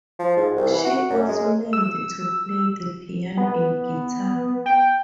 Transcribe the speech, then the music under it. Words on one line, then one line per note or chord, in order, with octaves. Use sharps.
She also learned to play the piano and guitar.
F3
G#2
C2
E3
F#4
F#2
G#3
E6
B3
G5